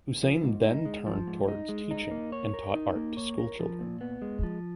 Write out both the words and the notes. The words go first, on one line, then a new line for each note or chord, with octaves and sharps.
Husain then turned towards teaching and taught art to school children.
F3
G#2
D#4
G#3
F3
G#2
D#4
G#3
D#4
A#3
C#5
A#4
D#4
A#3
C#5
A#4
F3
A#2
B3
G#3
F3